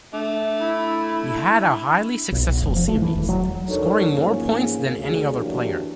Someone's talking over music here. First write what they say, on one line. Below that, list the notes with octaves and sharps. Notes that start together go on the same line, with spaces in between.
He had a highly successful series, scoring more points than any other player.
A3 D4
E4
B1
B1
F1
F3
A3
E3
E1
F#3
F#3 D4 D#4 A4 A#4 C#5
E2 G#2 F3 A#3 C#4 G#4
D2 C#3 G#4
E3 F#3 A#3 D4 G4